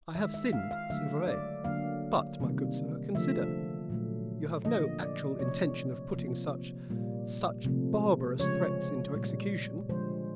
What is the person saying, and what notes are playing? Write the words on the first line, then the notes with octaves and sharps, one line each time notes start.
"I have sinned--c'est vrai--but, my good sir, consider!--you have no actual intention of putting such--such barbarous threats into execution."
D#3 G#3 E5
E5
F5
F5
D3 F#3 A3 E5
D5
D3 F#3 A#3 F5
C3 D#3 G3 A#3
D3 F3 A3 E5
A#2 F#3 A3
D3 F3 A#3 D#5
D5
C3 F3 A3 C#5
C3 F3 A#3
A#2 G3 A#3
C3 F3 A3
C#3 F3 G#3 C#5
A#2 G3 A#3
D3 F3 G#3 C5